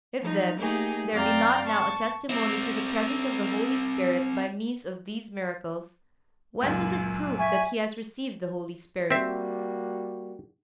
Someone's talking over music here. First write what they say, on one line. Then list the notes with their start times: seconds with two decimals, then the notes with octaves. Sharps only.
If, then, there be not now a testimony to the presence of the Holy Spirit by means of these miracles, whence is it proved that he has received the Holy Spirit?
0.21 F3 D#4
0.58 A3 A#3 D#4 G4 G#4
1.13 F#2 C4 D5 F5 G5 A#5
1.66 A5 C#6
2.29 C4 E4
6.62 C#2 F#2 A#2
7.39 E5 G#5 C#6
9.10 G3 A#3 C4 F#4 E5